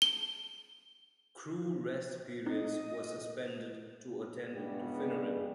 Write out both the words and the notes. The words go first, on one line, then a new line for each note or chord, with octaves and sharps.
Crew rest periods were suspended to attend to Finneran.
G7
C4 D#4 D#5 D#6
G2 C#3 G3 G#3 B3